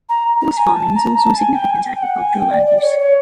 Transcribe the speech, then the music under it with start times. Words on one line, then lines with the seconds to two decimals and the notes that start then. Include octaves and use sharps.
Horse farming is also a significant agricultural land use.
0.09 A#5
0.41 A#5
0.57 G#5
0.73 A5
0.95 A#5
1.17 A5
1.37 G#5
1.53 G5
1.70 G#5
1.86 G5
1.96 G5
2.02 F#5
2.18 G#5
2.34 G5
2.51 D5
2.66 D5
2.77 D5
2.83 C#5
2.99 C#5